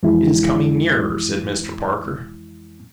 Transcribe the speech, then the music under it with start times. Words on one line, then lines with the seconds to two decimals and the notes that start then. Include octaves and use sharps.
"It is coming nearer," said Mr. Parker.
0.03 F2 E3 G#3 E4